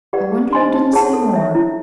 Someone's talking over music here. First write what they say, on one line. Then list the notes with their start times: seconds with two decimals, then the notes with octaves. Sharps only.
"I wonder you didn't say more."
0.13 G4 B4 D5 F#5
0.32 G4
0.53 C5 D#5 G#5 C6
0.74 D#4
0.93 G#4 C#5 F#5 A5
1.13 A4
1.34 C#5 E5
1.55 E4